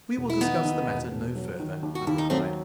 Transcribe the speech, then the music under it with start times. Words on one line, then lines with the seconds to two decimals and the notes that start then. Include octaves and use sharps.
"We will discuss the matter no further," I replied.
0.17 E1
0.30 E4
0.41 D#3 B3 D#4
0.65 D#2
0.89 E1
1.12 E1
1.36 F#3
1.59 D#3
1.83 D#2
1.95 F#4
2.07 D#2 E4
2.18 D#4
2.30 F#3 A3 C4